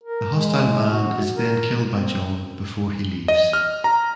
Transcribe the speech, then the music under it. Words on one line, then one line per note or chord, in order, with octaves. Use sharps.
The hostile man is then killed by John before he leaves.
A#4
G#3
F#4
A#4
C4
D#5
F6
A#5